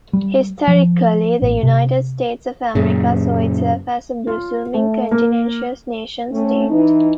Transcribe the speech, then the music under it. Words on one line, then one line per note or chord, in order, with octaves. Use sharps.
Historically, the United States of America saw itself as a blossoming continental nation-state.
G3
F3
A1
C3
F#2 A#2 C#3
F4
A3
A#3
A3 C4 C#4
E3 D#4